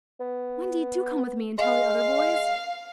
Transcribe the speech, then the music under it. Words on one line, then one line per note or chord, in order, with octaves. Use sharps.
"Wendy, do come with me and tell the other boys."
B3
G#3 F5